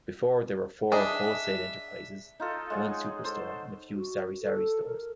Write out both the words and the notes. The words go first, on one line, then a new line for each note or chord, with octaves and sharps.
Before, there were four wholesale enterprises, one superstore and few sari-sari stores.
D4 G#4 D#5 E5
D#4 F4 A4
G#3 C#5 F#5
A4 C5
F#4
A4
A#4